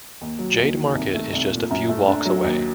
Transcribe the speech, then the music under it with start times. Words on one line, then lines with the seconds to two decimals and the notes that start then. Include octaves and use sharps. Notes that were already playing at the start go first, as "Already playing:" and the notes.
Jade Market is just a few walks away.
0.21 D#2
0.39 F#3
0.58 D#2
0.77 D#3
0.95 C2
1.15 A3
1.33 C2
1.52 A#2
1.71 F#2
1.89 A3
2.08 D4
2.26 F#3
2.44 D#2